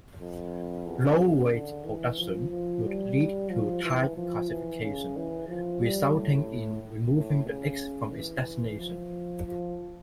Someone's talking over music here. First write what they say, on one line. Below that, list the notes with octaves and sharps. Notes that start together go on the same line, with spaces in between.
Low-rate production would lead to type-classification, resulting in removing the "X" from its designation.
F2
E2
C#3
D3
E3
F3
F3
G3
F3
E3
F3
E3
C#3
E3
F3
G3
A2
A2
C#3
E3
F3
F3